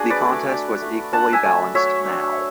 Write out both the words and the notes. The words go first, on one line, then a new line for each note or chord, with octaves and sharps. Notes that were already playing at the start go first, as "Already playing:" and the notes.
The contest was equally balanced now.
Already playing: D4 F#4 G#4
B4 D5
A3
D4
A3
D4 F#5 A5
E5 G#5
A3
F#3 C#5 E5
D4